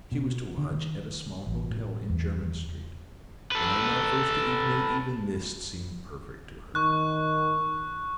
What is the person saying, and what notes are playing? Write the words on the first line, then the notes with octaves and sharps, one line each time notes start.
She was to lodge at a small hotel in Jermyn Street; and on that first evening even this seemed perfect to her.
B2
D3
D#3
A1
A2
E2
A4 B4
D#3 C#6 F#6